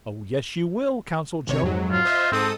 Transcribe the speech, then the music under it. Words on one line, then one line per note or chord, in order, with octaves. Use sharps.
"Oh, yes, you will," counseled Joe.
G#1 C3 C#5
F2 G#2 F#3
F4
C5 D#5 E5
G#2 C4 A4 D#6